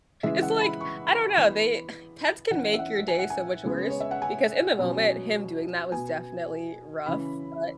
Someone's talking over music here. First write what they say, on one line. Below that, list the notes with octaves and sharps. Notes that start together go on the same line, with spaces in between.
it's like I don't know, they uh, pets can make your day so much worse because in the moment, him doing that was definitely rough, but
C#3 E3 G#3 E5
F#5
B5
C#6
B5
E3 B3
E3 C#4 F#5
E5
F#5
G#5
F#5
G#5
C#3 G#3 B3
C#5
E5
F#5
G#5
B2 F#3 C#4
B2 B3 G#5
C#3 E3 C#4 B5